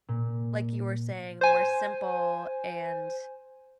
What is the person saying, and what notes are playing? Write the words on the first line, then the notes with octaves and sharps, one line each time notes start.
like you were saying, more simple and
A#2
C5 G#5